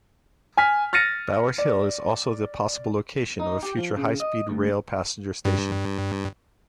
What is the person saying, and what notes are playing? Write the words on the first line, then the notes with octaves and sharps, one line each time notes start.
Bower's Hill is also the possible location of a future high-speed rail passenger station.
G#5 F6 B6
F6 A6 A#6 C#7 D#7
D5
D#4
G4
F3
C#3
D#5
D2
G2